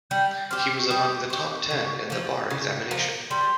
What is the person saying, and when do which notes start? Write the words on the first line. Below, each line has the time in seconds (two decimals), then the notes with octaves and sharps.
He was among the top ten in the bar examination.
0.11 G3 G6
0.50 C4 G4 F6
0.79 C#6
0.90 G3 D#6
1.30 C4 G4 C#6
1.71 C#3
2.10 F3 A#3
2.51 C#3
2.91 F3 A#3
3.30 G3 C6